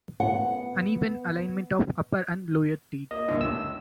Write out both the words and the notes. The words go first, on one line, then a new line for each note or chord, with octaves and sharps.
Uneven alignment of upper and lower teeth.
B3 F#5
A#3 D#5
D2 G2 A#2
C#2 E6